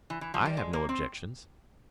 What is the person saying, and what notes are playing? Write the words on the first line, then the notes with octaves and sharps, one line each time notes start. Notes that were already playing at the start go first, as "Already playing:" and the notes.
"I have no objections."
E3
E3
F3
G3
G#3
A#3
C4